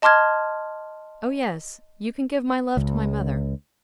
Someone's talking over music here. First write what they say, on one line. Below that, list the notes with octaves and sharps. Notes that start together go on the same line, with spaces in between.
Oh yes;--you can give my love to my mother.
D#5 A5 C6 D6 F6 G#6
C#2